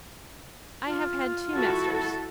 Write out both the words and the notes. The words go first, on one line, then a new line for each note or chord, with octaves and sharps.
I have had two masters.
F4
E4 F#4 A4